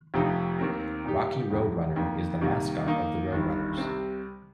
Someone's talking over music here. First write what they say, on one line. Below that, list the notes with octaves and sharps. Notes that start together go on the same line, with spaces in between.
Rocky RoadRunner is the mascot of the RoadRunners.
F1 F2 C3 F3 D#4
D#2 D#3 C4 D#4 A#4
A#2 A#3 D#4 G4
F1 F2 C3
F2 D#3 A#3
C2 C3 D#3 A#3
D#3 A#3 D#4
G1 G2 D#3
C2 C3 G3 C4